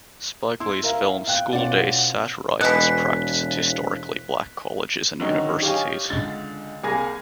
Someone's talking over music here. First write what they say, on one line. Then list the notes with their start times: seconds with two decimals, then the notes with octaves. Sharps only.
Spike Lee's film "School Daze" satirized this practice at historically black colleges and universities.
0.60 E4 C6
0.83 A#4 E5 F5
1.27 F5 G5 F#6
1.53 B2 C#4 F4 D5 F#5
2.61 E1 B2 E3 F#6 B6
5.20 D3 D#3 F#3 C#4 D#4
5.62 G4 C#5 D#5 F5 G5 G#5
6.10 C#2 D3 A6
6.84 C2 A#3 G#4 G#5 G#6 A#6